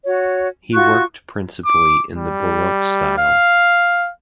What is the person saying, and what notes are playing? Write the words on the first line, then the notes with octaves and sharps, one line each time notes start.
He worked principally in the Baroque style.
F#4 C#5
F4 F#4 C#6 F#6
D6
G3
F5